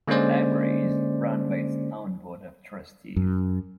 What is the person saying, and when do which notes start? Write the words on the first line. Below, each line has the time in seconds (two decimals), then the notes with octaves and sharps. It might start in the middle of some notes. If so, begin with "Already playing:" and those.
The library is run by its own Board of Trustees.
0.08 D3 G#3 A#3 C#4 C5 D5
3.16 F#2